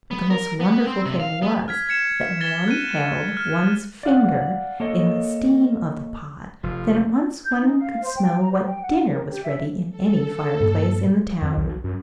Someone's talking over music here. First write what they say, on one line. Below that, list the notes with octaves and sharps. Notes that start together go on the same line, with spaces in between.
But the most wonderful thing was, that when one held one's finger in the steam of the pot, then at once one could smell what dinner was ready in any fire-place in the town.
B3
A#4
B3
C4
C3
F5
B3
F6 G#6 B6
G#6 C#7 E7
G#6 A6 B6 E7 G7
F#6 D#7
F6
D5 F5 F#5
A#3 A4 C#5 D#5
F1 F3
G6
D#4
F5
C5
G5
A#5
C5
G5
F#5
A#4
G4
E5
A4
G2 A#2
F2
B1
F#2